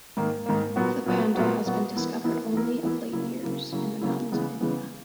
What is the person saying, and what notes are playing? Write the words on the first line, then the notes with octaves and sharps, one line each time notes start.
The panda has been discovered only of late years, in the mountains of India.
G#2 D#3 A#3
G#2 D#3 A#3
A#2 F#3 B3 F#4
A#2 F#3 B3 F#4
A#2 F#3 B3 F#4
A#2 F#3 B3 F#4
E3 B3 E4 A#4
E3 B3 E4 A#4
E3 B3 E4 A#4
E3 B3 E4 A#4
C#3 F#3 A#3 E4
C#3 F#3 A#3 E4
C#3 F#3 A#3 E4
C#3 F#3 A#3 E4
C#3 E3 G#3 B3
C#3 E3 G#3 B3